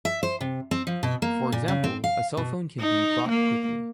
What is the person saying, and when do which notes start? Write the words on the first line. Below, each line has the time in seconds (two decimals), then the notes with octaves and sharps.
For example, a cell phone can be bought quickly.
0.05 E5
0.23 C5
0.41 C3
0.71 C4
0.87 F3
1.03 B2
1.22 A#3
1.52 A#2
1.68 C#3
1.84 C4
2.04 F5
2.37 B2
2.80 D#4
3.29 A#3